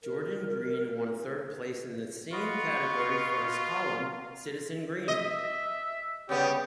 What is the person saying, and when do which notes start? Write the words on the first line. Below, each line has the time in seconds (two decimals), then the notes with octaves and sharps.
Jordan Green won third place in the same category for his column Citizen Green.
0.01 A#4
2.33 F4 F#4 D#5 B5 C#6
5.08 D#5 E5
6.29 C#3 G3 B3 G4